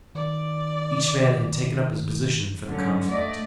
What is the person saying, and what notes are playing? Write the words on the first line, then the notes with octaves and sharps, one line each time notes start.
Each man had taken up his position for the conflict.
D#3 D5
D3 F#3 C#4
A3 D5 D#5